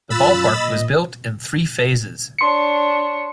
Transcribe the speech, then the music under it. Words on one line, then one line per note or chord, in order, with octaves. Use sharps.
The ballpark was built in three phases.
F#2 F4 B5 E6 F#6 A6
A#2 D#5
D4 C#5 C6 C#7